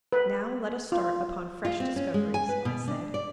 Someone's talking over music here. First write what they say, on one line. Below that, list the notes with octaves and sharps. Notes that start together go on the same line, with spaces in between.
"Now let us start upon fresh discoveries," I said.
B4
F4
F4
C4
C#4
G#3
G#5
B4
B2
D4
D5